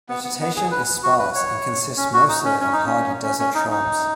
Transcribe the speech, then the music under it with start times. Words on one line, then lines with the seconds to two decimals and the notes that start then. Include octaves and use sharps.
Vegetation is sparse and consists mostly of hardy desert shrubs.
0.09 B3
0.24 B3
0.41 B3
0.56 G#4
0.71 B4
1.03 F#4
1.19 B4
1.35 C#5
1.97 C#4
2.13 F#4
2.29 D#4
2.45 C#4
2.61 C#4
2.73 D#4
2.86 C#4
3.23 C#4
3.39 C#4
3.54 D#4
3.71 D#4